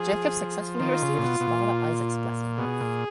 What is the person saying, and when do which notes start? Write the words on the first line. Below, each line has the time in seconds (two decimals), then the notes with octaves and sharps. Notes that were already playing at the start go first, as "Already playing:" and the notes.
Jacob successfully received his father Isaac's blessing.
Already playing: F3 G#4
0.79 D#3 F4
1.02 C#3
1.18 A#2
1.24 B2
1.40 B2
1.47 A#2
2.58 B2 G#4
2.81 A#2